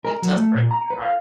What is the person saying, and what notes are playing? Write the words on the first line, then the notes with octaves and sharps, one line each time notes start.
That does break my heart.
A#4
F#3
A3
A#2
A#5
B4
F5